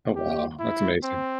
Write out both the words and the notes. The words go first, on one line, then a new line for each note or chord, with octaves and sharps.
Oh, wow. That's amazing.
G4
E4
C4